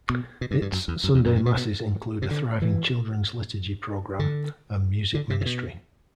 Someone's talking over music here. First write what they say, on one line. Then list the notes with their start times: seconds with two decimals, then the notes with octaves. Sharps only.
Its Sunday masses include a thriving children's liturgy program and music ministry.
0.09 B2
0.41 B2
0.51 G2
0.61 G2
0.72 F#2
0.88 E2
1.04 F#2
1.14 E2
1.26 F#2
1.36 G2
1.46 B2
1.57 B2
2.22 C3
2.31 D3
2.62 E3
4.19 D3
5.15 D3
5.30 C3
5.41 C3
5.46 B2